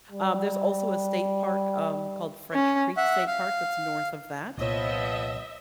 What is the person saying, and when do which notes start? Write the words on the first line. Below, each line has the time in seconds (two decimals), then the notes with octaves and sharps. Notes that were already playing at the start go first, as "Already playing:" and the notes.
Um, there's also a state park, um, called French Creek State Park that's north of that.
0.12 G3
2.53 C#4
2.97 E5 F#5
3.27 F5
4.58 C2 A#2 F3 B3 C#5 D#5 E5